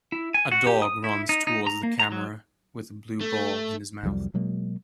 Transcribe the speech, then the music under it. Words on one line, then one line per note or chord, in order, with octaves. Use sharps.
A dog runs towards the camera with a blue ball in his mouth.
E4
G#5
F#4
G4
D#6
E4
D#4
D#4
A#5
A#3
A#5
F#3
A3
C2 F2 F#3 G3
B2 F#3 G#3 A#3